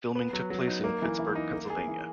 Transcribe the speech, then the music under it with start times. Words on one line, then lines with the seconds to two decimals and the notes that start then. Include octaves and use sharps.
Filming took place in Pittsburgh, Pennsylvania.
0.15 B3
0.33 F#3
0.50 F#3
0.68 D#4
0.84 A#3
1.02 E3
1.19 E3
1.35 D#4
1.53 A#3
1.70 G#4
1.87 E3